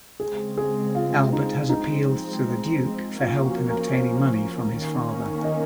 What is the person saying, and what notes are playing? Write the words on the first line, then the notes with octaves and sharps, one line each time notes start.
Albert has appealed to the Duke for help in obtaining money from his father.
C#3 G#3 C4 G#4
G#4
F4
D#4
F3 G#3 C4 D#4
F3 A#3 C#4 F4
F#4
A#4
C5
D#3 A#3 C#4
D#5